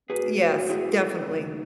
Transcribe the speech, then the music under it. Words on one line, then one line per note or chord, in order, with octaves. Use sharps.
Yes. Definitely.
A2 G#3 B3 F#4 G#4 B4
E4 G#4
D#2 C#3 F#3 A3 D#4